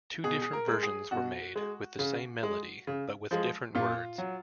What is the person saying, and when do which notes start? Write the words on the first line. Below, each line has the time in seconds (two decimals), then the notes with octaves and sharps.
Two different versions were made with the same melody but with different words.
0.24 B2 G#4
0.42 G#4
0.53 A#4
0.67 G#3
0.83 G#4
1.11 B2 F#4
1.56 G#3
1.99 C#3
2.43 G#3
2.87 C#3
3.31 F3 G#3
3.75 A#2 F4
4.18 F#3